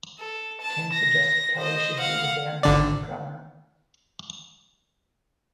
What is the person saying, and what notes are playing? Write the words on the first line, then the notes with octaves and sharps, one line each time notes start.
Kim suggested Kelley should be the band's new drummer.
A4
A5
A#6
C5 D#5
F5 F#5
G#1 D3 D5